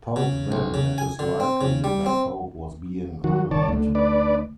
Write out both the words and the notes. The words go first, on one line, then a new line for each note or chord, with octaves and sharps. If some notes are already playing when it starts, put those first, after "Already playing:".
Pope then it is likely that Pope was being honoured.
C#3
B1
C#3
G#5
D3
C4
C#3
G3
C4
D#3 F#3 F#4
G1 D#3 C#5 D5 A5
D2 D3 A3
D4 B4 D5